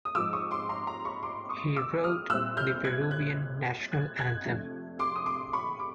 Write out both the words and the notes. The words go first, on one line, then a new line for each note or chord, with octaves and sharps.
He wrote the Peruvian national anthem.
D#6
G#2 F3 G#3 D6 E6
C#6 D#6
C6 D6
A#5 C6
A#5 C6
B5 C#6
C6 D6
C#6 D#6
D6 E6
D#6 F6
A#2 G3 C4 E4 E6 F#6
F6 G6
F#6 G#6
F#6 G#6
A6
F#6 G#6
F#6 G#6
F2 C3 F3 A3 D4
C6 D6
D#6
C6 D6
B5 C#6
D6